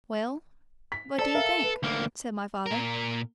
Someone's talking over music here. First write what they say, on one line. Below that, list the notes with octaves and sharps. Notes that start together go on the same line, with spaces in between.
"Well, what do you think?" said my father.
B6
A4 C5 D5 A5
A#4 E5 F5
B4
D2 A#3
A#2 A#4